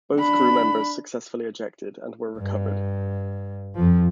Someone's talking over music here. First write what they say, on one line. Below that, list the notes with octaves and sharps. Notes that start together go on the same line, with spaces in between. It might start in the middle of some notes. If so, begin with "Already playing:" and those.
Both crew members successfully ejected and were recovered.
D4 B5
G2
F2 F3